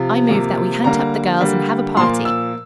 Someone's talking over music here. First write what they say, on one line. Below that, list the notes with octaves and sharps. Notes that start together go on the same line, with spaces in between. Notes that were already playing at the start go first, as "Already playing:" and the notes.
I move that we hunt up the girls and have a party.
Already playing: C3 F3
C3 F3 A#3
D3 G3 A#3 A#5
D3 G3 A#3
A#2 F3 A#3 C6
E6